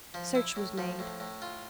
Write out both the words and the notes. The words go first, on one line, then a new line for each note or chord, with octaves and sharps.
Search was made.
F3
E4
A2
F3
A2
A2
F4